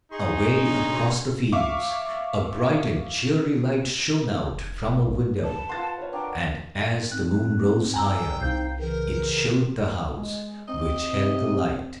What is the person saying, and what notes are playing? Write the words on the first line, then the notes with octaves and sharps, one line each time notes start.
Away across the fields a bright and cheery light shone out from a window, and as the moon rose higher, it showed the house which held the light.
D#4 G#4 C6 C#6
B2 D3 C#4 A#5
E5 F5 C#6 D6
C#3
F1
E1
A#1
A5
B4
F4 F#5 C6 A6
B4 C#5
D4 F#4 A#4 G5
G#2 C4 F#6
G5 G#5 A#5 E6
C2 D#4 C5 F5 G6
C#3 E3 A#4
G#3
C4 D#5
C3